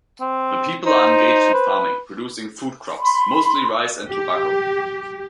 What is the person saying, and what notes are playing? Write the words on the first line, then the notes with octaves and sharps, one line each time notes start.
The people are engaged in farming, producing food crops, mostly rice and tobacco.
C4
D#4 C5
B4
B5 C6
G4